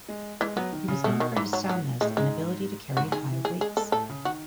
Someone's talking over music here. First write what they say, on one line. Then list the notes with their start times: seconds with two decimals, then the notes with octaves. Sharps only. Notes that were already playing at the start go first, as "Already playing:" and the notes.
He was known for his soundness and ability to carry high weights.
0.08 G#3
0.41 E3 G#3
0.56 F#3 B3
0.72 D#3
0.88 C#3
1.04 B2 A3
1.20 D#3
1.36 G#2 E3
1.53 F#3
1.69 F#3
2.01 A2 G#3
2.17 G#2 G#3
2.97 G#2 F#4
3.12 D#3 G#4
3.28 E3
3.45 G#4
3.60 G#3 G#4
3.77 G#3 A4
3.92 A2 A4
4.09 C#3
4.25 D#3 F#4